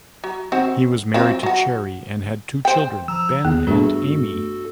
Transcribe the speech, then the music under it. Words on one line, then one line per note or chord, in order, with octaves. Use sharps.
He was married to Cherry and had two children, Ben and Amey.
F#3
D#3 C4 F#4
F#3 C4 F4
F#3 F#4
C5 G5
F3 A#5 E6
D#2 B3 G#4
G2 A3 D4 F#4 G#4 A4